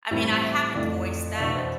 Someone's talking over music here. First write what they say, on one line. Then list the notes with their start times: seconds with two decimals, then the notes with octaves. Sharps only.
I mean, I haven't voiced that,
0.11 A2 E3 G3 C4 E5
0.43 E5
0.75 F2 E3 A3 D5
1.35 F5
1.39 E2 B2 B3 D4 E5
1.56 C5